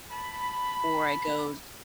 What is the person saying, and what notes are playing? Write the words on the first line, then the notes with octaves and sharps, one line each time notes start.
Or I go s
A5 B5